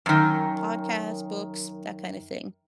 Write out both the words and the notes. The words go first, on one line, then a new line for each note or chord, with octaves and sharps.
podcast, books, that kinda thing.
F#2 D#3